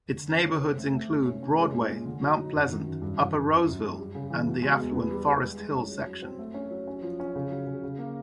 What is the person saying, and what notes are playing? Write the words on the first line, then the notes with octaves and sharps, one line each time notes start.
Its neighborhoods include Broadway, Mount Pleasant, Upper Roseville and the affluent Forest Hill section.
D3
C#4
C#4
C4
A3
A3
C3
C#4
C#4
G#3
A#2
A#2
D3
F#3
D#4
F#2
D#3
F#2
G2
E3
G2
F#2
F#2
G3
G3
C#3
E3
B2
G#3
E2
B3
G3
G3
G#3
G#3
C#4
F#3
F#3
C4
A3
C#4
F#3
C#4
F3
C#4
C#3
F#3
C#3
C#3
A#3